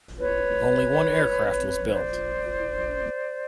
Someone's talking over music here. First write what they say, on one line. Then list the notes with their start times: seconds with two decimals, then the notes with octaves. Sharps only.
Only one aircraft was built.
0.19 B4 C#5
1.89 C5 D5